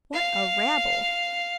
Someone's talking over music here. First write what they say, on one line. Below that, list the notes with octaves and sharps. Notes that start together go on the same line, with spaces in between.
What a rabble!
F5